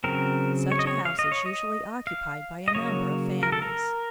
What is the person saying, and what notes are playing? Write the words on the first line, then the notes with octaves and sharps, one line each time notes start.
Such a house is usually occupied by a number of families.
C#3 F#3 C4 A#4
C#5
D#5
C#5
F5
D#5
C#5
D#5
F5
D#5
C#3 F#3 A#3 C#5
A#4
A4
A#4